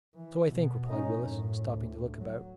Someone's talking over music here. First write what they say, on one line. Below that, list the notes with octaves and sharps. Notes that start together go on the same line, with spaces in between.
"So I think," replied Willis, stopping to look about.
E3
B2
C#4 D#4
F#2 A2
D2
F#3